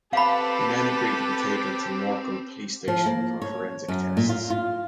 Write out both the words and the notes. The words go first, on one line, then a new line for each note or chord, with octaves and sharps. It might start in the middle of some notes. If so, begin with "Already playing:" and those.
The men agreed to be taken to Morecambe police station for forensic tests.
C4 G4 A4 B4 F5 B5
F3
A#3
C#5
F#2
A#2
F4
F4